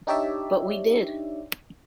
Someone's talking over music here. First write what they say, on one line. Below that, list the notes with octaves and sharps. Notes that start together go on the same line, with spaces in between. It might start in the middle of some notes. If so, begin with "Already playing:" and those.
But we did.
D4 D#4 G4 C#5 D5 E5